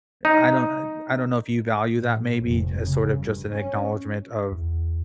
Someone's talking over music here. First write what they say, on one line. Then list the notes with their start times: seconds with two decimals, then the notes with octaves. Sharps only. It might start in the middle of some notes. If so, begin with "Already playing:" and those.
I I don't uh, I don't know if you value that maybe as sorta just an acknowledgement of
0.25 D#4
1.96 A2
2.42 F1
2.84 C#3
3.17 G2
3.50 C#4
4.52 E2